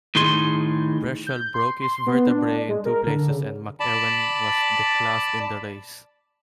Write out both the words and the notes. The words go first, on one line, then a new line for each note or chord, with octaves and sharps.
Breschel broke his vertebrae in two places and McEwen was de-classed in the race.
A2 D#3 D#4 G#4 C6
G6
C6
C6
B3
D4
G#3
A#4
D3
C#3
D5 A5 B5